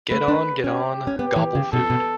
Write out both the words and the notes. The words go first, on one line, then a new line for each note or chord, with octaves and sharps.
Get on, get on, gobble food!
A3 B4
D4
C#4 G4
C#4
B3 G4
E3
C#3
B2 A4
B2